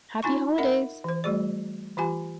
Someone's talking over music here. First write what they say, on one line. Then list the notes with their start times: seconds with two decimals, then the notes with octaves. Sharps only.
Happy Holidays!
0.23 D#4 F4 G#5 C6 C#6
0.58 A#4 D#5 E5 F#5 B5
1.04 E3 C5
1.24 G3 A3 F#4 G#4 D5
1.97 E3 F4 G4 G#5